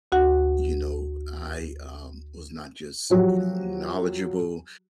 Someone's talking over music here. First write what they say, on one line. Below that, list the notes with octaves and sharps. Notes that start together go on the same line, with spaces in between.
you know, I, um, was not just, you know, knowledgeable,
D2 F#4 F#5
F3 F#3 F#4 G4